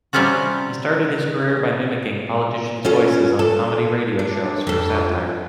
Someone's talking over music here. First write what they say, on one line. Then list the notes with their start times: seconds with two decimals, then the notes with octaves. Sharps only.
He started his career by mimicking politicians' voices on comedy radio shows for satire.
0.13 C3 G3 C4 C#4 F4 F#4
2.85 C#4 F4 A4
3.39 A4
4.19 D4
4.67 F2 A4